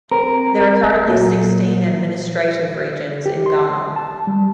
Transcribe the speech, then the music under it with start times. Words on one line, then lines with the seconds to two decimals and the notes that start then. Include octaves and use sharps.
There are currently sixteen administrative regions in Ghana.
0.11 C4 A#4
1.08 A#2 F#3
3.26 G4
3.46 C6
3.96 A5
4.27 G3